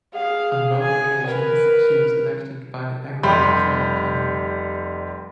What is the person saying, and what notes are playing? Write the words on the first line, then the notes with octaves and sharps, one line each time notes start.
On both occasions she was elected by the Agricultural Panel.
G#4 F5
G#5
A#4 B4
F1 G3 G4 B5 C6